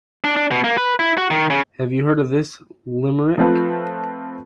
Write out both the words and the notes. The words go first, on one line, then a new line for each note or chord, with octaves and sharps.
Have you heard this limerick?
D4
D4
B2
A#3
B4
E4
F#4
D#3
C#3
F3 A3 C4 F4 A4 B4